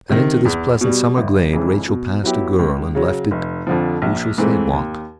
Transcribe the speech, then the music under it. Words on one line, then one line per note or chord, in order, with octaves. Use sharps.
And into this pleasant summer glade Rachel passed a girl, and left it, who shall say what?
C3 D#3
E2
B2 G3
G1
F2 C#3 E3 G#3
B2
F#3 B3 E4 G4
C#2
C#3 F#3
F1
F2 D3 F3
A#1
G#2 E3 A3 C4
D#2